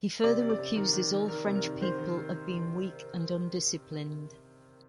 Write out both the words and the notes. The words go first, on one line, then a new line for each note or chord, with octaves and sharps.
He further accuses all French people of being weak and undisciplined.
C3 D5
C3
D5
C3
D#3 A#4
D#3
D#3
D#3 A#4
C3
A#4
D#3
D#3 C5
D#3
D#3